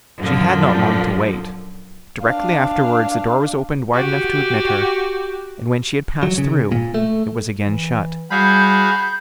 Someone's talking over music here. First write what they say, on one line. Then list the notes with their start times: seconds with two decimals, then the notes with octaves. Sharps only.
She had not long to wait; directly afterwards the door was opened wide enough to admit her, and when she had passed through, it was again shut.
0.18 F#2 A#2 D3 F3
2.23 D4 F5
3.94 F#4 G4
6.23 F#3
6.38 C#3
6.72 A#2
6.94 A3
7.66 E3
8.31 G3 F#4 G#4 F5 B5 G6